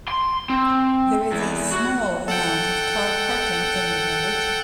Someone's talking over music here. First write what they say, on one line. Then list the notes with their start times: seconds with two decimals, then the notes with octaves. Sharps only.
There is a small amount of car parking in the village.
0.08 C6
0.50 C4
1.32 E2
1.72 F#4
2.28 A4 F#5 G5